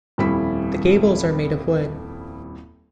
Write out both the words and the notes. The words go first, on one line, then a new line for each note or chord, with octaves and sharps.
The gables are made of wood.
D#1 F2 G3 E4 B6